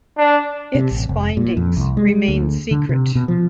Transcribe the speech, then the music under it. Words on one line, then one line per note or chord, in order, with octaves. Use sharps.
Its findings remain secret.
D4
C3
A1
F1
A#2
F2
C2
G#3
D2
D3
C3
B2
F3